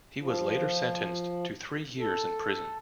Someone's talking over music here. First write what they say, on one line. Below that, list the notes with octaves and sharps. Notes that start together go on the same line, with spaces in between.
He was later sentenced to three years in prison.
F3
A4